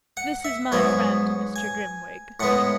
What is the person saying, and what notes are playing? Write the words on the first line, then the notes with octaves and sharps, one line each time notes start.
'This is my friend, Mr. Grimwig.
F#5
E5
G#2 F#3 B3 G#5
G#5
A2 G#3 B3 F#5